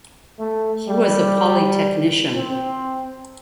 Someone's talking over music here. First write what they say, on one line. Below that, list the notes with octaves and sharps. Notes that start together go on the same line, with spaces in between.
He was a Polytechnician.
A3
G3
C4